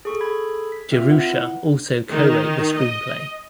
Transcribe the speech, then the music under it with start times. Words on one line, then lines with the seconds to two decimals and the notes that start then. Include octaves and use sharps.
Jerusha also co-wrote the screenplay.
0.05 G#4 A4 C#6
0.21 G#4 A4 B5 G#6
0.72 B6
0.91 C4 F4 E5 F6
1.10 B4 F#5
1.30 E4
2.08 D#3
2.76 D#5